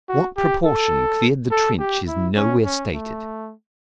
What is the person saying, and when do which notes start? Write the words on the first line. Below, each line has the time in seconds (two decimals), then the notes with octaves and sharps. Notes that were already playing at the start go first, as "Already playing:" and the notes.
What proportion cleared the trench is nowhere stated.
0.09 F#4
0.37 G4
0.65 A4
1.51 A4
1.79 G4
2.08 E4
2.36 C#4
2.65 C#4
2.94 A3